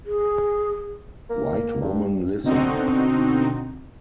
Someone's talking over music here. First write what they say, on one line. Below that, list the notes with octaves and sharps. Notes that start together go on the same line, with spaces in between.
White Woman Listen!
G#4
A#3
G2
B2 D3 C4 D#4 F#4